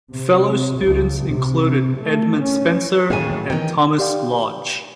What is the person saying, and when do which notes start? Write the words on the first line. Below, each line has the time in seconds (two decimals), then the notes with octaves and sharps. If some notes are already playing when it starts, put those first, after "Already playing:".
Fellow students included Edmund Spenser and Thomas Lodge.
0.12 C3
0.81 C#2
1.31 C3
1.99 A3
2.44 C#4
3.10 A1 D#2 A2 A#3 G#4 E5 G#5
3.31 A2 F#3
3.50 D#3 E3 C#4 G5
3.99 G4 D5 F5 G5